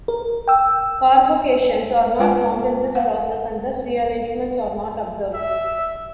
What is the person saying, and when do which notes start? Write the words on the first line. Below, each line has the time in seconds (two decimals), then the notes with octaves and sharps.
Carbocations are not formed in this process and thus rearrangements are not observed.
0.08 A#4
0.48 G5 E6
2.19 G#3 F4 B4 F#5 G#5
2.95 F5 F#5
5.33 E5